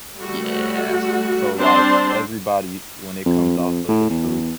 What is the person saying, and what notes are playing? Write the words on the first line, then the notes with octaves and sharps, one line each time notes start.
Yes, so like everybody when it comes off of the truth,
G3 A3 F#4
G3 C4 D4 C5 A5 C6
F2
F2
A2
E2